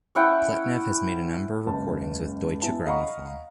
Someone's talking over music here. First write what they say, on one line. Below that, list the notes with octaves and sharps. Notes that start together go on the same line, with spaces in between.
Pletnev has made a number of recordings with Deutsche Grammophon.
C#4 E4 F#5 G5
F#1 C#2 A5
B3 E4 G#5 A5
D#5 F5 F#5 A#5 B5 C#6